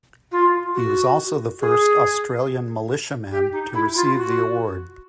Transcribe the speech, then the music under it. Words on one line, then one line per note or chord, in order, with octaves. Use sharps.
He was also the first Australian Militiaman to receive the award.
F4
F#4
G#4
G4
D#4
E4
F4
F#4